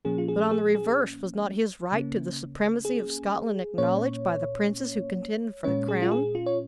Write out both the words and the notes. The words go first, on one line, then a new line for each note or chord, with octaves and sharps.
But on the reverse, was not his right to the supremacy of Scotland acknowledged by the princes who contended for the crown?
A#2 F3 A#3 C#4 G#4
F4
G#4
G#4
G#4
C#3 A#3 C#4
G#4
A#2 A#3 C#4 C#5
A#2 G#3 C#4 C#5
G#4
F4
G#4
F4
C#5